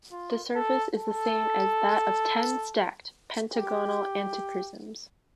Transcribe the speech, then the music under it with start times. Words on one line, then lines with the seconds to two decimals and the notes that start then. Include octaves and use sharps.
The surface is the same as that of ten stacked pentagonal antiprisms.
0.12 F4
0.55 A4
0.98 A4
3.52 G4